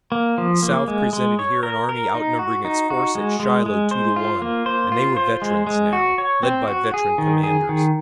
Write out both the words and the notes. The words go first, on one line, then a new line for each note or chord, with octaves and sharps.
The South presented here an army outnumbering its force at Shiloh two to one, and they were veterans now, led by veteran commanders.
A#3
F3
A#3
G#3
G#3
C#5
A#4
A#4
D#4
F#4
D#4
F#4
G#3
G#3
G#3
C5
F4
A#3
C5
F4
C5
G#3
G#3
F#4
C#5
C4
F#4
G#4
D#3
G#4
D#3